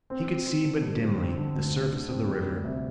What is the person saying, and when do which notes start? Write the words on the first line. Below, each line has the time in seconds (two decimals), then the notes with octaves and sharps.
He could see but dimly the surface of the river.
0.10 C4
0.27 C4
0.47 C4
0.64 D3
0.83 G3
1.02 C4
1.19 C4
1.38 D3
1.55 D2
1.74 C4
1.92 D3
2.10 C4
2.29 G3
2.47 D2
2.65 C3